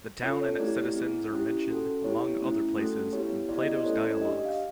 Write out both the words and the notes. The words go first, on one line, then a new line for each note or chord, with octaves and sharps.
The town and its citizens are mentioned, among other places, in Plato's Dialogs.
C#4 F4 A4 C#5
C#5
A3 C4 E4 G4 D5
C4 E4 G#4
C#4 E4 G4
C#4 F#4 A4
B3 E4 G4 C#5
A3 C#4 E4
A3 C#4 F#4 A4
B3 E4 G4 C#5
B3 E4 G4 D5
D#5
D5
C5
A3 C#4 E4 A4 C#5
D5
D4 G4 D#5
F5